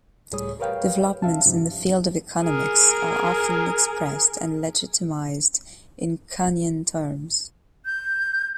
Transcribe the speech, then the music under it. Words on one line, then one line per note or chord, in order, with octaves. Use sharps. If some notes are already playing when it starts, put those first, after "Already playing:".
Developments in the field of economics are often expressed and legitimized in Kuhnian terms.
C#2 A2 G3 G#4 C#5 D#6
G4 A#4 B4 C#5 F5 G5
C#4 E5 F5 A5
G2 C3 F3 D#4 G4
G#4 A#4
G6